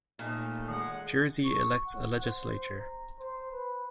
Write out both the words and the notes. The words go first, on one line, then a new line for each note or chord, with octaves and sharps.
Jersey elects a legislature.
D#2 A#2 A3 D#4
D#3 G#3 F#5
C#6
F#5
C5
A#5
C5
B4